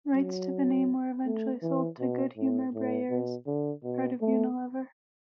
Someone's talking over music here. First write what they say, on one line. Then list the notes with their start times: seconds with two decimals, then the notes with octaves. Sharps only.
Rights to the name were eventually sold to Good Humor-Breyers, part of Unilever.
0.14 F#3
1.26 A3
1.62 E3
1.99 B2
2.37 A2
2.74 A2
3.10 B2
3.47 D3
3.84 B2
4.21 A3